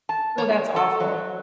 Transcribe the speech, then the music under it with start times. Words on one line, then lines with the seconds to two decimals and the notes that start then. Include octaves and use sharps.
Oh, that's awful.
0.09 A5
0.38 C#5
0.76 A4
1.00 F#3